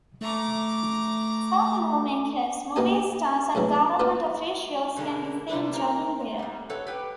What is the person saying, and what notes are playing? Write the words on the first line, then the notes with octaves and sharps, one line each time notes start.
Top lawmakers, movie stars, and government officials can be seen jogging there.
A3 A#5 D6
A#3 B3 G4 G#5
F#2 A2 C#3 E3
B3 D4 F4 B4
B2 D3 G3 G#3 A#3
C3 G3 D4 B4
A#3 C5 A#5
G#2 G3
A4 B4 C#5 F#5
G4 B4 G5